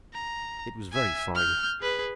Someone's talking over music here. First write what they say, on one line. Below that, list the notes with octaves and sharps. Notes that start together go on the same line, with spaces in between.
It was very fine!
A#5
E5 G#5
F6 G6
G#4 B4